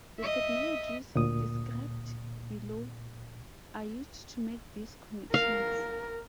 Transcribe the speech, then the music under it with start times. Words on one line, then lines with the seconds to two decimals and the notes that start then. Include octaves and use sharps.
The technologies described below are used to make these connections.
0.19 D#5 E5
1.15 D2 A#2 D#6
5.34 A#4 F5